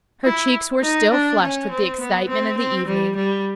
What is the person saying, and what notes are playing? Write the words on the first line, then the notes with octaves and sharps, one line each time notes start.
Her cheeks were still flushed with the excitement of the evening.
E4
D#4
D4
C#4
C4
B3
C4
C4
G3
G3